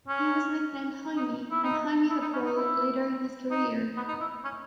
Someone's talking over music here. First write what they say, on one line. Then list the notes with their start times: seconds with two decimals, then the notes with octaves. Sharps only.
He was nicknamed "Hymie" and "Hymie the Pole", later in his career.
0.08 C#4
1.17 D#4
1.51 E4
1.63 D#4
2.10 E4
2.22 D#4
2.33 C#4
2.46 D#4
2.56 E4
3.51 D#4
3.97 B3
4.08 D#4
4.21 E4
4.44 C#4